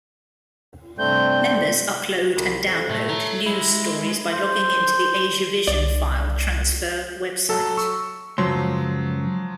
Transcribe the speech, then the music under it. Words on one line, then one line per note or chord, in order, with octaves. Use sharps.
Members upload and download news stories by logging into the Asiavision file transfer website.
G2 C3 A3 C4 D5 G6
C2
F2
A2 A3
C#5 A#5
G#3 E4
C5
C2 D5
F#3 A4
C#6 E6
C#2 F#2 F3 F#3 C6